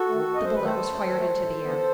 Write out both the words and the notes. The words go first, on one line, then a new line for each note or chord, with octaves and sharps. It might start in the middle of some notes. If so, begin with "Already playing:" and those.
The bullet was fired into the air.
Already playing: F#4 A4
D#3 A3
F#2 D#5
C5
B4
D#3 A3 A4 C5
F#2
D#3 A3
A2
E3 B3